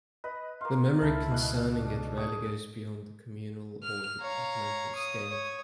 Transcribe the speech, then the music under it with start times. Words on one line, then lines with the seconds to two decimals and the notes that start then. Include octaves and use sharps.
The memory concerning it rarely goes beyond the communal or departmental scale.
0.24 B4 D#5
0.61 A#3 F5 C6
1.02 C#2 E4 F5 A5
1.32 B2 F#6
1.76 D4
2.17 G#4 C#6
3.83 F6
4.21 C#5 F5 A#5
4.97 D#6
5.30 C#5